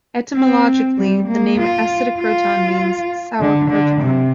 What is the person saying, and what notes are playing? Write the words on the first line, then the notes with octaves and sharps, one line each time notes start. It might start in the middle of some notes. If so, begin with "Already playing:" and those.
Etymologically, the name "Acidocroton" means "sour croton".
C4
G3
A#3
F4
F4
D3
D3
C3